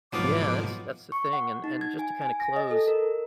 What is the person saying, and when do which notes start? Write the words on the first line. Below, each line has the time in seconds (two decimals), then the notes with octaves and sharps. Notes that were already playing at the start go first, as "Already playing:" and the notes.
Yeah, that's that's the thing, and and just to kinda close,
0.13 F2 G#2 B2 F3 F#3 B3 F4 D6
1.12 C#6
1.33 F#5
1.64 D#4
1.81 G#6
1.99 G#5
2.22 G#5
2.40 A#6
2.56 D#5
2.71 A4
2.88 A#4